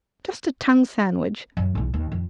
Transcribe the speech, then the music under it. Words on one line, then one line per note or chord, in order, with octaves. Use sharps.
Just a tongue sandwich.
F#2 F#3
B1 E2
D#2
F2